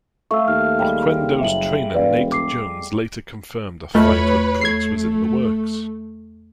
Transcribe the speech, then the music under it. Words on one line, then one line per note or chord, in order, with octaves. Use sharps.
Oquendo's trainer Nate Jones later confirmed a fight with Briggs was in the works.
A3 F5 C#6 E6
D#2 F6
G3 G#3
F#1 E5 F#7
E1 B4 D5 F5
D6 C7
E2 A3 F4 B4 C#5 D#5 B5
A3 G#6 C7